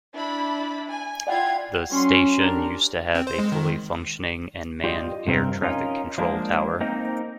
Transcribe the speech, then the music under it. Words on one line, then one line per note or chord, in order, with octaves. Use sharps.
The station used to have a fully functioning and manned Air Traffic Control Tower.
D4 E4 B5
G#5
E4 F4 D5 F#5 G5 G#6
F#3 C#4 C6
D4 G4 A#4
C4
C5
G#3
D#3
F4 G4 C5 D5 D#5
G2 C3 G#3 C4 A#4
C#4 D#4 F4 A#4
F3 G#3 A#3 D4
A#3 C4 D#4 A#4